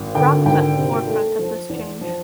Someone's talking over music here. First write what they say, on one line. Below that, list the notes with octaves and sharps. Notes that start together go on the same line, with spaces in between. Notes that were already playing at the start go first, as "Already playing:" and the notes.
Rock was at the forefront of this change.
Already playing: G#1
D3 G5
G#1 G5
C3
A3
F3
E2
F3